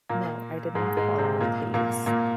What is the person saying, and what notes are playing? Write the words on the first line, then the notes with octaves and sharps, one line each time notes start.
No, I did not fall among thieves.
A#2 A#3
G#2 G#3
G#2 G#3
C3 C4
A#2 A#3
A#2 A#3
A#2 A#3